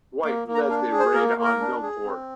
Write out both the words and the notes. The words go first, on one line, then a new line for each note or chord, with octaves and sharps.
Wight led the raid on Millport.
A#3 D6
A#3
A#5
D4 F5
G#4
C5
A#3 A#4
A#4
A#3
A#4
D4
G#4
C4